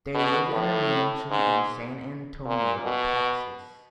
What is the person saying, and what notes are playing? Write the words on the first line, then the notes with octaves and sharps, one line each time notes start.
They lived in a mansion in San Antonio, Texas.
B2
A2
G#2
A#2
B2